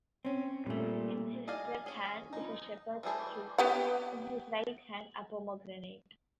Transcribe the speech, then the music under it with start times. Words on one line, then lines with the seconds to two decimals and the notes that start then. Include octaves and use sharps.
In his left hand is a shepherd's crook, in his right hand a pomegranate.
0.25 C4 C#4
0.67 A#2 G3 A3
1.48 G#4 D5 D#5 F5 G#5
1.86 C#4 G#4
2.33 D#4
3.03 E3 G3 A3 G#4 C5
3.58 B3 G4 F#5